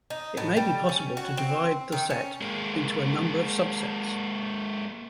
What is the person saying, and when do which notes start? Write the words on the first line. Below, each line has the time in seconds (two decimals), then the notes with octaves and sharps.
It may be possible to divide the set into a number of subsets.
0.10 D#4
0.37 A2
0.57 G3
0.89 C#4
1.17 F#4
1.37 C4
1.92 D#3
2.10 C#4
2.41 G#3 A#3